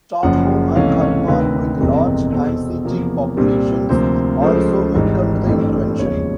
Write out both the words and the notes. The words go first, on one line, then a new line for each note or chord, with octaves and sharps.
Stockholm and Kalmar, with large Hanseatic populations, also welcomed the intervention.
F#1 F#2 C#3 F3 F#5
C#2 C3 E3 A3 C#4 F5
C#5
D2 C3 D#3 B4
G1 F2 C3 E3 G#3 A#4
E2 B2 G#3 C4 A4
E2 C3 F3 A#3
C2 A#2 G3 C4 G4
D2 C3 F3 A#3 C5
C#2 C#3 F3 A3 C5
G#1 G#2 E3 G3
A1 G2 E3 A3 C4
E1 D#2 C#3 F3 C#5